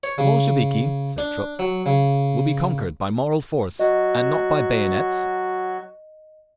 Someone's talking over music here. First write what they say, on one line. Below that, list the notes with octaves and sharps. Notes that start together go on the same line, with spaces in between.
"The Bolsheviki," said Trupp, "will be conquered by moral force, and not by bayonets....."
C#5
C#3
D4
F#3
C#3
F#3 F#4 D#5